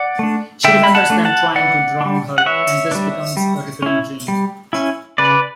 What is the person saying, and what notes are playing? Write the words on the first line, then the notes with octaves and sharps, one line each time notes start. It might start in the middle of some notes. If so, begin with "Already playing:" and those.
She remembers them trying to drown her, and this becomes a recurring dream.
Already playing: D5 F#5
A3 D4
D3 E5 G5
B5
F#5 A5
A3 D4
F#5 A5
E3 D5 F#5
G3 D4
F#5
E3 C#5 E5
G3 D4
G3
C#4 E4
G3
C#4 E4
C#3 B4 D5